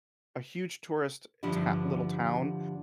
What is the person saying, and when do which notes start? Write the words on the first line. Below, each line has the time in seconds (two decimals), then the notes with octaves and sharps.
a huge tourist, eh, tow little town,
1.43 G2 D3 F3 G3 D4 E4